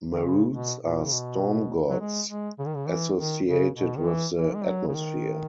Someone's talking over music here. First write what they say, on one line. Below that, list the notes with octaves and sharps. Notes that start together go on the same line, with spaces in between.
Maruts are "storm gods", associated with the atmosphere.
D#3
C#3
B2
A#2
C#3
B2
F#3
G#3
G#3
C#3
D#3
C#3
E3
D#3
C#3
B2
D#3
E3
E3
G#3
F#3
C#3
D#3